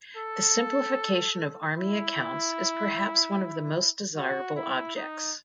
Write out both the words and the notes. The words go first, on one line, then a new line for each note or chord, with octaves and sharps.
The simplification of army accounts is perhaps one of the most desirable objects.
A4
E4
F#4
E4
D#4